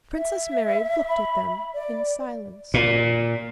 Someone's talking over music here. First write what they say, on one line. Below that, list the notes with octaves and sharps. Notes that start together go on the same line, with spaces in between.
Princess Mary looked at them in silence.
E5
B5
D5
A#2